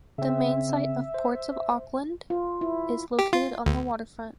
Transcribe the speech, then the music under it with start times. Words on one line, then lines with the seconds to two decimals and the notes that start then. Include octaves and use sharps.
The main site of Ports of Auckland is located on the waterfront.
0.18 C#3 C4 E5
1.14 C5
2.30 F4
2.61 E4
3.19 G4
3.33 F4
3.66 D2